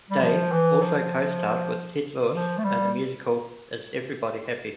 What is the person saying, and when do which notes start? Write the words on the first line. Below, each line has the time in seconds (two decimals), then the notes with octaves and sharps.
Day also co-starred with Ted Lewis in the musical Is Everybody Happy?
0.11 G3
0.21 F3
0.52 E3
0.82 F3
2.34 F3
2.58 A3
2.64 G3